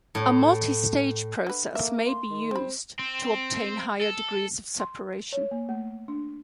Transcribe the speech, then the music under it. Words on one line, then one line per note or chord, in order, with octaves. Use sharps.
A multistage process may be used to obtain higher degrees of separation.
A2
D3 B4
A3 A#3 E5
C6
D#3
G3 C4 B5
C4
A4
C6
C#5
A#3
A3
D4